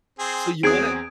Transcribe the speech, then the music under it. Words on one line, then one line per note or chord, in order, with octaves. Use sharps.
So, you want it
C4 G#4
E2 F#3 C4 G#4 D#6 G#6 D7